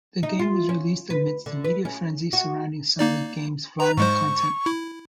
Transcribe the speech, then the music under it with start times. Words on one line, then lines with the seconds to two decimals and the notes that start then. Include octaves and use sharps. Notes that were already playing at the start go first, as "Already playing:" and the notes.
The game was released amidst a media frenzy surrounding some of game's violent content.
0.23 D#4
0.39 F4
0.69 C#4
1.10 B4
1.46 D3
1.64 B4
1.85 C#4
2.33 F#4
2.99 A#3 D#4 D5
3.80 B4 A#5
3.97 G#2 G#3 C5 C#6
4.66 E4